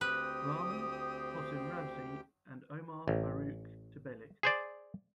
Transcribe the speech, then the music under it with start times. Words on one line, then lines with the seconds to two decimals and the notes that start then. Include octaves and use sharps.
Rahman, Hossam Ramzy and Omar Faruk Tekbilek.
0.01 D2 C4 G4 B4 G5 D#6
3.08 A1
4.43 G#4 C5 D5